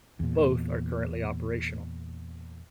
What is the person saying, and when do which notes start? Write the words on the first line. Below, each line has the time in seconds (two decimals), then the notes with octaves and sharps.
Both are currently operational.
0.20 E2 A#2